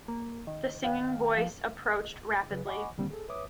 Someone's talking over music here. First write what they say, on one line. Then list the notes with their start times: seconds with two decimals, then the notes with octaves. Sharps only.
The singing voice approached rapidly.
0.08 A#3
0.47 D#3
0.84 F5 G5
1.37 F3
2.50 C#3 F#3 G#4 B4
2.66 D#5 F#5 G#5 B5 C#6 D6
2.97 A2 D3 D#3 G3 A#3 C4
3.11 G#4 A4
3.28 B4 C#5 E5 D6 D#6